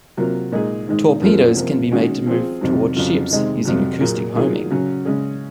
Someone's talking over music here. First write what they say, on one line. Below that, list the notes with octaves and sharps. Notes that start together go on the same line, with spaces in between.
Torpedoes can be made to move toward ships using acoustic homing.
C3 F#3 A#3 F4
A#2 G#3 D#4 G#4
G#2 D#3 G#3
F#2 F3 A#3 F4
C3 F3 A#3
D#3 G#3 C#4 F#4
F3 C4 F4 G#4
F2 C3 D#3 F#3
F2 C#3 F#3 C#4 F4
C3 D#3 G#3 D#4
F2 C3 F#3
A#2 F#3 A#3 F4 G#4
D#3 F#3 A#3 F4 G#4
C#3 F#3 C#4
C#3 G#3 C#4 G#4